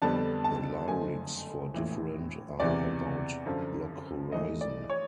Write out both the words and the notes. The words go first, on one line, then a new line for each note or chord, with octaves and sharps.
The lyrics for "Different" are about "Log Horizon".
F2 D3 G3 B3 D4 A5
A5
F#1 F2 D3 F3 A3 G#5
A#1 A2 E3
E2 C3 E3 D5
F#2 D3 F3
G#2 E3 A3 D#5
D5
C#5